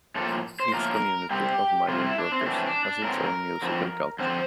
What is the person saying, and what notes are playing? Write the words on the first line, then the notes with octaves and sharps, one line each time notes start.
Each community of migrant workers has its own musical culture.
A2 F3 A#3 A4
C5
A2 F3 A#3 A#4
C3 G3 C4 G4
C3 G3 C4 F4
E4
D4
C4
E4
A2 E3 A3 C4 D4
D4
D4
A2 E3 A3 C4 A#4
F2 D3 F3 C4
F2 D3 F3 C4 C5